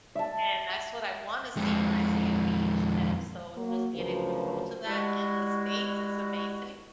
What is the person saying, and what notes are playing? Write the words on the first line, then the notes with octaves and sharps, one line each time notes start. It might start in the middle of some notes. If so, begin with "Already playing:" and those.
and that's what I wanna see when I see a beach, and so, just being able to go to that in the States is amazing,
E5 A5
F2 G#3
F#3 A#3
D2 C#3 F3 F#3 A#4 B4
G3 G#3 E4 F#4